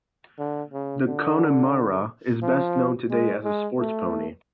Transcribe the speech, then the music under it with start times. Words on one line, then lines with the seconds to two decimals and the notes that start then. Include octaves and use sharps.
The Connemara is best known today as a sports pony.
0.39 D3
0.73 C#3
1.07 D3
2.43 F3
3.11 G#3
3.44 G#3
3.78 A3